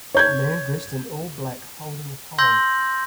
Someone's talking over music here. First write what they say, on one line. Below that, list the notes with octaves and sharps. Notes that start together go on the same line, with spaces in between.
A man dressed in all black holding a pole.
C#5 G6 G#6
C6 E6 G6 A#6 F#7